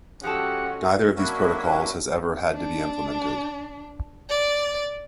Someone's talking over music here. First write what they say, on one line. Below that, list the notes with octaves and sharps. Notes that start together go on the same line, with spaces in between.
Neither of these protocols has ever had to be implemented.
F3 G#3 C#4 F#4 G4 A4 F#5
F#3 A#3 C#4 D4 E4 F#4
D4
D5